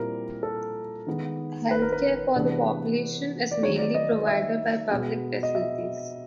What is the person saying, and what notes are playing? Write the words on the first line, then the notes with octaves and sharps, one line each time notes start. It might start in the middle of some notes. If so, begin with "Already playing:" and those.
Health care for the population is mainly provided by public facilities.
Already playing: A#2 G3 C4 E4 A#4
A4
D#3 G#3 B3 D#4
B4
A#4
B4
C3 E3 G#3 B3 D4
D5
D#3 F#3 A3 C4 D#4 C#5
D5
D#5
D#5
E5
B2 G#3 B3
D#5
E5